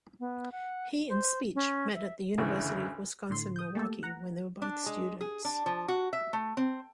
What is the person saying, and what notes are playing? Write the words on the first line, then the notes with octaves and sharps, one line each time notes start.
He and Speech met at the University of Wisconsin-Milwaukee when they were both students.
B3
F#5
C5
C#4
E5
F#1 D2 C#3 E3
A2 D3 C6
D#6 G6
A3 A#3 G4 A4
F#5 A#5
D4
G#3
G#4
D4
F3
F#4
E5
A3
C4